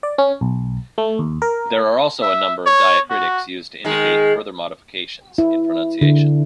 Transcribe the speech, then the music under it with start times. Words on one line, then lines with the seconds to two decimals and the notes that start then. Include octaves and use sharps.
There are also a number of diacritics used to indicate further modifications in pronunciation.
0.03 D5
0.18 C#4
0.41 B1
0.98 A3
1.19 D#2
1.42 A#4
2.22 E5
2.66 C#5
3.10 F#4
3.85 D#3 G#3
5.38 E4
6.01 D3